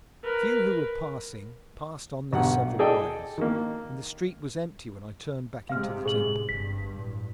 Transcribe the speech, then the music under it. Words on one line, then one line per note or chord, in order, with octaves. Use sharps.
The few who were passing passed on their several ways, and the street was empty when I turned back into the Temple.
A#4 B4
B1 G2 F#5
G#4 A4 D5 D#5 G5
D#3 A#3
C3 G#3 F5 F6
A2 G#4 F#7
G1 G2 B6
A2